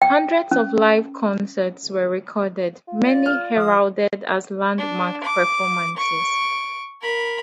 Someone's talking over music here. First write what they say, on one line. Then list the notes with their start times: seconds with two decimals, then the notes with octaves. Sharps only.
Hundreds of live concerts were recorded, many heralded as landmark performances.
0.02 G5
0.51 C#4
2.88 F4
3.04 D5
3.26 F6
3.57 F3 D#6
4.78 D4
5.24 D6
5.97 C#6 D7
7.02 A#4 B5